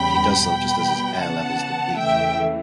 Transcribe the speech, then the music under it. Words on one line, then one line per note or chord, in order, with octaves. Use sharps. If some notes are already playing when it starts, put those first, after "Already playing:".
She does so just as his air levels deplete.
Already playing: E2 C#3 G3 B3 G5 B5
B2 G3 B3 G5 B5
C#3 E3 B3 F#5 A5
E2 C#3 E3 A3 E5 G5